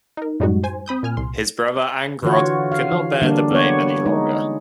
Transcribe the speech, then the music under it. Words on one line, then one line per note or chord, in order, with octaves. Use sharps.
His brother Angrod could not bear the blame any longer.
D#4 A#4
F#2 A2 G3 G#3 D#4 F#4
C5 G#5
C4 B5 D#6 G6
A#2 G#5 F6
C2 C6
D3 E3 F4 F#4 C#5
F5
E3
D3 G3 A#3 D4
B3 C#5
G#3 D#4